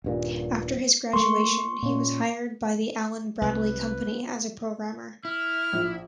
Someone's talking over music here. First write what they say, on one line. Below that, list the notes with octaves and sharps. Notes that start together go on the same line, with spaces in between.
After his graduation, he was hired by the Allen-Bradley company as a programmer.
D#1 G2 A#2
A3 A#3 C6 C#6
A#2 C#4
C2 B4
E4 F6
A#1